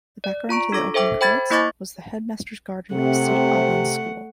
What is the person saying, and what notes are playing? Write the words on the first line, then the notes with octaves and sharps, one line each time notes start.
The background to the opening credits was the headmaster's garden of Saint Albans School.
D5
F4 A#5 C#6 D7
D4 A4 D6 A#6
A4 C5 E5 G5 D6
C5 G5 B5 G#6 A6
A#3 E4 D#5 C#6 D6 A6
C3 A3 F#5